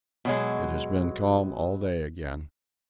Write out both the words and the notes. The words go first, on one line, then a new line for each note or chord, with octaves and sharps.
It has been calm all day again.
B2 F#3 G#3